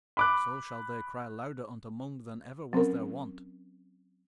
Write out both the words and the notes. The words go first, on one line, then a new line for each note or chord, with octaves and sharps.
So shall they cry louder unto Mung than ever was their wont.
B5 D6 F#6
F#3 C4 C#4 A#4